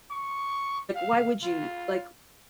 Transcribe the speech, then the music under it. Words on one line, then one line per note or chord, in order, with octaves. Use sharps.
why would you like,
C#6
F5
F4